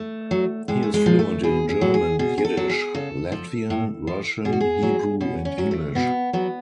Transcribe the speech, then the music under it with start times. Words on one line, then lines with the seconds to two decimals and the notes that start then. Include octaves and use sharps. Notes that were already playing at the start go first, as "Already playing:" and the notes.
He is fluent in German, Yiddish, Latvian, Russian, Hebrew and English.
Already playing: A3
0.31 F#3
0.68 A2 G#3
0.83 A3
0.94 G#3
1.06 F3
1.19 A3
1.43 B2 G#4
1.69 G#4
1.81 F#3
1.94 G#4
2.19 B2 G#4
2.38 G#4
2.45 A4
2.57 F#3
2.70 G#4
2.94 C#3 A4
3.32 F3
3.70 A2
4.07 F3
4.45 B2 G#4
4.53 F#4
4.61 G#4
4.83 F#3
5.21 B2 C#4
5.45 C#4
5.58 F#3
5.71 A3
5.95 B2 B3
6.33 F#3 B3